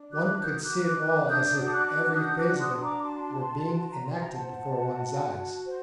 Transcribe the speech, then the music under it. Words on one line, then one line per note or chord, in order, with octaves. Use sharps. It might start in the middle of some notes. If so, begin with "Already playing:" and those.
One could see it all as if every phase of it were being enacted before one's eyes.
Already playing: D4
F#4 D6 F#6
A#4 D#6 G6
D6 F#6
A#4
D6 F#6
A#4
D6 F#6
D4 D#6 G6
F#4
D#6
D6 F#6
D4
F#4 D#6 G6
D6 F#6
D4
C6 D#6
D4 C6
A#5 D6
F#4 A5 C6
F#4
F#4
F#4 A#5
C6
C5 G5 A#5
F#5 A5
C5
F#4
F#4
F#4
C5